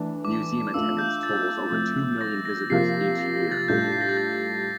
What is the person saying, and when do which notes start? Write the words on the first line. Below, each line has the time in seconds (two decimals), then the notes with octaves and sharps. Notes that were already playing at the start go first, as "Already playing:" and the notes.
Museum attendance totals over two million visitors each year.
Already playing: E3 A3 D4
0.25 D6
0.74 A3 D4 F4 E6
0.99 G6
1.23 A6
1.72 F3 A3 C4 E4
2.21 A#6
2.45 A#6
2.70 C3 F3 A#3 F4 C7
3.19 A#6
3.36 A#6
3.51 A6
3.68 A2 G3 D4 F4 A4 G6
3.92 C7
4.01 A#6
4.09 A6
4.17 G6